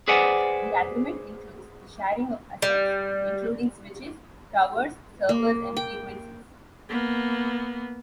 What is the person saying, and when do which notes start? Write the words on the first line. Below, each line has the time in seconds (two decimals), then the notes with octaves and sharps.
The agreement includes the sharing of assets including switches, towers, servers, and frequencies.
0.08 G#4 B4 C5 D5 F#5 G#5
2.62 G3
5.29 A#3
5.77 G5
6.90 A#3 B3